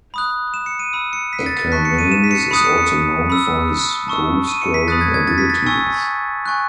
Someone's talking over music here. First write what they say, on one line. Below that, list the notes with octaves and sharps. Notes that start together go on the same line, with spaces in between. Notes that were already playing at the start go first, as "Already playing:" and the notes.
Akermanis is also known for his goalscoring abilities.
B5 D#6 F#6
E7
C#7
D#7
B5 E6
C#7
B6
A6
A6
A5 C#6 F#6 B6
C#7
D#7
E7
B6
C#7
B5 D#6 F#6 C#7
C#7
C#7
B5 E6
A5 C#6 E6
D#7
C#7
B6
B5 D#6 F#6 A6
G#6
G#6
A6
B6
A6
G#5 C#6 E6
G#5 C#6 F#6